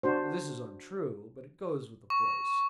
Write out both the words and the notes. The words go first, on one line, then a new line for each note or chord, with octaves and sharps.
This is untrue, but it goes with the place.
D4 F#4 C5
C#6